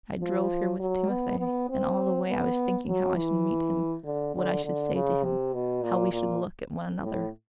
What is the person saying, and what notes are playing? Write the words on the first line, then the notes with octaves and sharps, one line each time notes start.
I drove here with Timofey, and all the way I was thinking how I should meet him, what I should say to him, how we should look at one another.
F3
F#3
B3
B3
C4
B3
F#3
E3
D3
D3
D3
C#3
C3
B2
A#2
A#2
A2